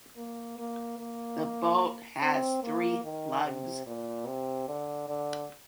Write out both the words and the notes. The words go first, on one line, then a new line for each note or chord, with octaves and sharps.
The bolt has three lugs.
A#3
A#3
A#3
C4
A#3
D#3
C3
A#2
C3
D3
D3